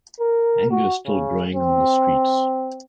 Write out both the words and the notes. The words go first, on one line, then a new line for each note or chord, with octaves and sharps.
Anger is still growing on the streets.
A#4
F#4
C#3
C4